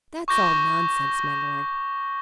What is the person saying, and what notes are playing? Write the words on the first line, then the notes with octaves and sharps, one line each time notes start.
"That's all nonsense, my lord."
C#6 D6 G6 A#6 G7